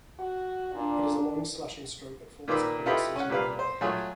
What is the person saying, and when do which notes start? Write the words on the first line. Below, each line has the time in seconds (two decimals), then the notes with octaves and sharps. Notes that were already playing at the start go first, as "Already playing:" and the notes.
It is a long slashing stroke that falls on the centre-line of the head.
0.19 F#4
0.74 A#2 D4
2.48 A#2 D#3 A#3 B4 D6 E6
2.86 E4 F4 G4 A4 B4 D#5
3.16 C#4 F#5
3.30 A#2 G3 B4 F5
3.59 C5
3.81 F#3 A3 F4 G#4 C#5